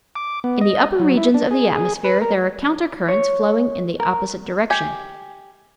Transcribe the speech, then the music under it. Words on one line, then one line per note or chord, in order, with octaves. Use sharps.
In the upper regions of the atmosphere there are counter currents flowing in the opposite direction.
D6
B3
D#5
F#3
E4
D4
G#4
G#4
B4
A#4
C#5
A#4
G4 G#5